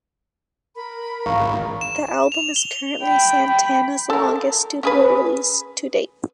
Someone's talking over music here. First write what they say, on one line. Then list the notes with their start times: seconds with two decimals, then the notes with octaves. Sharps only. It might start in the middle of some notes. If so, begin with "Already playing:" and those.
The album is currently Santana's longest studio release to date.
0.76 A#4 B5
1.26 G#1 F5 A#5 C#6
1.81 E7
2.32 F7
2.56 G7
3.02 G5 B5
4.10 A4 A#4
4.83 C#4 G#4 B4